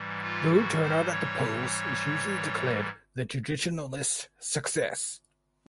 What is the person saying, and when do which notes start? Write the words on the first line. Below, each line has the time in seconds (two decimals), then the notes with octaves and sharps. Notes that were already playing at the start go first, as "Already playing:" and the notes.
Low turnout at the polls is usually declared the Traditionalist success.
Already playing: G#2 E3 G3
0.22 F4
0.53 F#4
0.81 C5
1.11 C#5